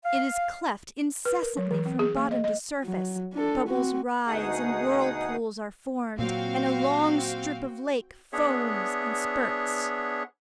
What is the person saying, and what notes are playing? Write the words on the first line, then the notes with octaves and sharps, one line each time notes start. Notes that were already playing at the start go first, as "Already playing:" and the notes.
It is cleft incessantly from bottom to surface, bubbles rise and whirlpools are formed, and a long strip of lake foams and spurts.
F5
B4
A#4
F#3
E3
C4
G#4
A#3
D#5
D#5
F#3
D4 A4
C4 F#4
D2 B2 D#4 G#4 F#5 D#6
A#2 F#3 C4 F#4 F5 G5
B3 D4 G#4 C#5 E5 F#5